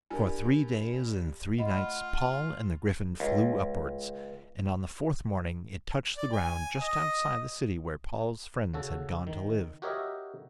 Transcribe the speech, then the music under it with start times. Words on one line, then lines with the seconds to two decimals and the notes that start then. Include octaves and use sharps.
For three days and three nights Paul and the griffin flew upwards, and on the fourth morning it touched the ground just outside the city where Paul's friends had gone to live.
0.10 G2 A#4 G#5
1.58 A3 F4 D#5 F#5 B5
3.20 C#2
6.17 D5
6.33 G#5
6.81 D#5
8.74 C#3 F#4 A4
9.27 D#3
9.82 F#4 G4 A#4 C#5 D#5 E5